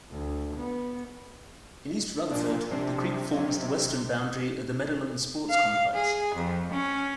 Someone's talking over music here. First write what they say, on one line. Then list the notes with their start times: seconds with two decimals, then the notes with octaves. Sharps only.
In East Rutherford, the creek forms the western boundary of the Meadowlands Sports Complex.
0.11 D2
0.57 B3
2.31 A#2 F3 D4
2.70 C3 F3 C4 D4
3.33 F#3 C#4 D#5
5.50 F5
5.94 G#4
6.35 F2
6.72 C#4